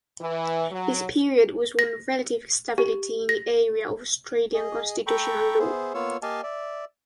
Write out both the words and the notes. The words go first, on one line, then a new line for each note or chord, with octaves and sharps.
This period was one of relative stability in the area of Australian Constitutional Law.
E3
F#3
A#6
G4
A#6
G#4 D#5
A4 G5 A#5 B5 C#6
B3 G#4 C5 E5
A#3 B3 F4 C#5 E6
A#3 G4 D#5 F5 G#5 A5
D5 E5